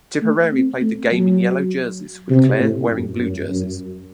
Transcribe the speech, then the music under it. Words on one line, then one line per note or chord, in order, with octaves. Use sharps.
Tipperary played the game in yellow jerseys with Clare wearing blue jerseys.
A3
C4
A3
F#3
C3
A2
F#2
F#2
F#2